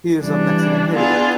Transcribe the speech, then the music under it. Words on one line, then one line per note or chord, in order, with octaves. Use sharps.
He is of Mexican heritage.
E3 G3 D4
B3 D4 E4 F4 G#4